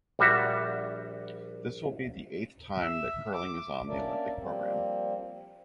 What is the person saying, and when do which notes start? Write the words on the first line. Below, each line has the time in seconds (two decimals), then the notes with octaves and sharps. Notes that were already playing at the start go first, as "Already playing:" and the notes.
This will be the eighth time that curling is on the Olympic program.
0.19 A#1 G3 F#4 E5 F#5
2.81 E5
3.34 D6
3.88 A#3 C#4 D4 A#4 D5 E5
4.39 F3 G3 A#3 C4